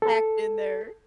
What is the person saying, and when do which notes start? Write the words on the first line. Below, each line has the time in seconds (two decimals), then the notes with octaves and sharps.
Packed in there.
0.02 A4